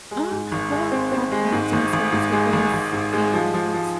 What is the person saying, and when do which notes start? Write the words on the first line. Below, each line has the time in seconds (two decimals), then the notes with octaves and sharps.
Um, well, I've had some experience with this. And
0.11 G#3
0.31 G#2
0.52 G#1
0.72 G#3
0.92 C4
1.12 C4
1.32 G#3
1.52 G#2
1.72 G#1
1.93 G#1
2.12 G#2
2.32 G#3
2.53 G#1
2.73 G#1
2.93 G#2
3.13 G#3
3.34 F3
3.54 F3
3.74 F3